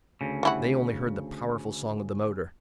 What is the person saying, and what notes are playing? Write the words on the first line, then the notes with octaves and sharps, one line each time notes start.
They only heard the powerful song of the motor.
D2 C#3
G3 E4 F#4